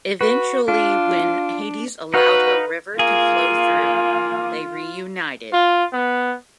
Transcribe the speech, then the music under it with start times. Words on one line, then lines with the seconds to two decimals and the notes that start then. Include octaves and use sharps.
Eventually when Hades allowed her river to flow through, they reunited.
0.21 F#4 B4
0.68 D4 F4
2.14 D#4 F#4 B4 F5 F#5
2.99 A#3 F4 G#4
5.53 F4
5.93 B3